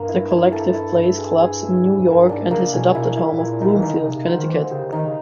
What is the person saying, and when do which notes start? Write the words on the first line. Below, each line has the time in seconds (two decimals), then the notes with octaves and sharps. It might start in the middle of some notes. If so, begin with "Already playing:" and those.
The collective plays clubs in New York and his adopted home of Bloomfield, Connecticut.
Already playing: G2 A#3
0.09 E4
0.30 E4
0.53 A4
0.74 E4
0.92 G#2
0.97 G2 E5
1.18 G#4
1.40 G#4
1.62 E5
1.84 G#2 D4
1.99 G2
2.07 A#3
2.14 G2
2.29 G#2 D4
2.51 C#3 A#3
2.73 B2 G#4
2.95 B2 E4
3.17 E4
3.32 A2
3.38 A#2 E4
3.61 D#4
3.76 E3
3.82 D#3 D#4
3.91 D3
3.98 C#3
4.05 C3 D#4
4.16 C3
4.26 D3 C5
4.38 D#3
4.49 E3 D#4
4.60 D3
4.71 C#3 G4
4.92 D#3 D#4
5.05 C#3